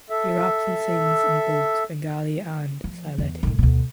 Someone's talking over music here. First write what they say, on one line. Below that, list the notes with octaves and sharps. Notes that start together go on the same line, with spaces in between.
He raps and sings in both Bengali and Sylheti.
A4 E5
F3
E2
A2 D#3
D2 B2